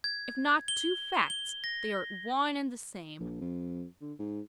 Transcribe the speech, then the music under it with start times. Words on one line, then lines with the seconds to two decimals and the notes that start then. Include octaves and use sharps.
If not two facts, they are one and the same.
0.04 G#6
0.68 G7
1.30 G7
1.64 A#6
3.20 A#1
3.41 F2
4.01 D3
4.19 G#2